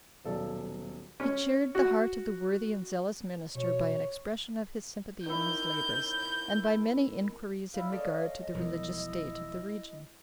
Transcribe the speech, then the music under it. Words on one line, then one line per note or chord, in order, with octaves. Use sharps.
He cheered the heart of the worthy and zealous minister by an expression of his sympathy in his labors, and by many inquiries in regard to the religious state of the region.
D#1 B1 A4 D5
C#4
F#4
B2 C#5
D#3 E4 G6
G3 E4 F5
C#4 A4 D5 D#5
E1 F3 F#3 E4 A#4